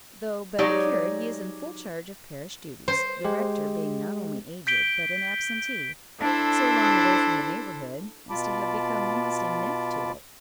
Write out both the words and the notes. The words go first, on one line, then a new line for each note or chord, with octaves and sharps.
Though but the curate, he is in full charge of parish duties, the rector being not only aged but an absentee--so long away from the neighbourhood as to have become almost a myth to it.
F#3 G#3 D#4 G4 C#5 D5
C5
G#3 G4
G6 B6 D7 G7
D4 E4 A4 C5
B2 F4 A5 B5 D6